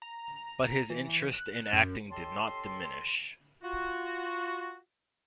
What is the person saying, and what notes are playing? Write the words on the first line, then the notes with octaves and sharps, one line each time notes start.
But his interest in acting did not diminish.
A#5
E3
F#6
F#2
C#4 G4 A4 D#5 A5 C6
F4 F#4